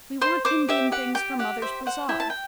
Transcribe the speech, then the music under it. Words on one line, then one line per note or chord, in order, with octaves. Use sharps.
'We want Indian things for mother's bazaar.
C5 C6
C5 D6
G4 E5
G4 F#5
G4 G5
G4 F#5
C5 E5
C5 F#5
E4 G5
A5
G5